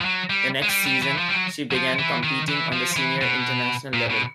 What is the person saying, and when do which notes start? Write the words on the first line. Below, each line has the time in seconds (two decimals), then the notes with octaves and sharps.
The next season, she began competing on the senior international level.
0.01 F3
0.05 F#3
0.30 G3
0.62 G#3
0.70 G3
0.86 G3
1.02 E3
1.18 F3
1.28 G3
1.34 F#3
1.71 F#3
1.75 F3
1.99 E3
2.23 D#3
2.48 E3
2.72 F3
2.96 E3
3.21 B2
3.93 A#2
4.10 B2